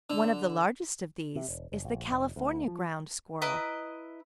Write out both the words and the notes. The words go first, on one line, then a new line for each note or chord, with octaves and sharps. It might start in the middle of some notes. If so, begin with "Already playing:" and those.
One of the largest of these is the California Ground Squirrel.
D3
C3
E1
F#1
A#1
F1
D2
F3
E4 B4 D#5 A#5